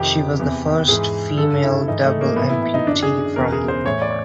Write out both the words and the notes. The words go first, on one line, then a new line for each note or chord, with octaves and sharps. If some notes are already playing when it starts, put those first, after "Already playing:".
She was the first female double amputee from the war.
Already playing: F2 C3 D#3 G4
E2 C3 E3
G#2 E3 G#4
G2 D3 A4
E4
G#2 E3 D#4
A3
A#3
A2 E3 B3
E4
E4
D#4
F#2 D3 D4
G#4
E2 C#3 E3 A#4
G#4
C5
A2 E3 C#5
D5